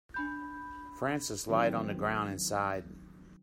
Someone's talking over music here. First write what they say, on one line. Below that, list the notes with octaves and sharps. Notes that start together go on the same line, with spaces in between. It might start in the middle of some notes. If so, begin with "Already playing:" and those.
Francis lied on the ground and sighed.
D4 B5 G6
D#3 E3 F#3 C4